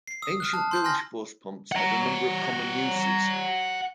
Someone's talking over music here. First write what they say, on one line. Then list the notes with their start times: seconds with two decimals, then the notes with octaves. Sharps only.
Ancient bilge force pumps had a number of common uses.
0.07 C7
0.22 D#6 E6
0.40 D#6 F6 F#6
0.53 A5
0.71 C6 G6
0.84 G#5 C6 F6 A#6
1.72 F#5 A#5